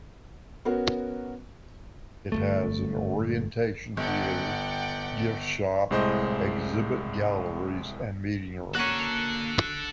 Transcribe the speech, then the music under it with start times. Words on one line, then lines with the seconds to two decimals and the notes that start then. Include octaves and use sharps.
It has an orientation theater, giftshop, exhibit galleries, and meeting rooms.
0.65 B3 C#4 F#4 A#4
2.32 G1 F2 A3
3.97 G1 D5 F#5 G5
5.91 C2 A2 G#3 C5 D#5 G6
8.75 A#3 C#4 D4 F#4 A4 A#5 F#6 C#7